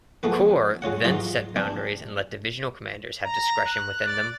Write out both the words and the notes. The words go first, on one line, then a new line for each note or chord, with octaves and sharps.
Corps then set boundaries and let divisional commanders have discretion within them.
F3 G#3 A3 B3 B4
G#3 F4 C#5 F#5
G#2 E3 F#3 F4 D#5 C6
E3 C4 D4
A#5
F#6
D5